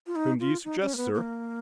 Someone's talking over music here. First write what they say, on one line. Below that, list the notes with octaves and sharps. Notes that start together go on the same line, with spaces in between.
"Whom do you suggest, sir?"
F4
D#4
F4
D#4
C#4
A#3
B3
A#3